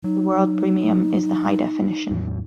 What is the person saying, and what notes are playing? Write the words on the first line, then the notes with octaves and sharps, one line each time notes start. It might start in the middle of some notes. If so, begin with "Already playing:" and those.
The World Premium is the high definition.
F#3 D#4
E2 A2 F#3